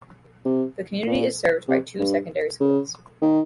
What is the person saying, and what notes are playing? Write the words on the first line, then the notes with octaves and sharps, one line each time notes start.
The community is served by two secondary schools.
C3
A#2
C3
G2
C#3
D#3